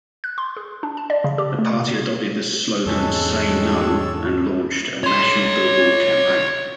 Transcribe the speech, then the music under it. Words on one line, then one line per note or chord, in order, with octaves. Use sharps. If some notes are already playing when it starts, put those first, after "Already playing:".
The party adopted the slogan "say no" and launched a national billboard campaign.
F#6
C6
G#4
D4
A5
D5
C#3
G4
A3
A#3
E2 G#2 G#3 C4 D4 A4 C#5 E6
C#5 C6